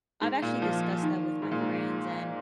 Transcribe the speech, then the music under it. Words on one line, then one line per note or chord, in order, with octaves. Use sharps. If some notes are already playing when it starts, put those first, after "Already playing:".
I've actually discussed that with my friends, and
G#2
A#2
F3
D#3
G#2
A#2
G#2